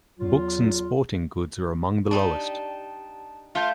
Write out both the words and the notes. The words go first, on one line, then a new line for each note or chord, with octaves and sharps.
Books and sporting goods are among the lowest.
E2 F#3 F4
D4 D#4 G4 A5
A3 F4 E5 A5 G6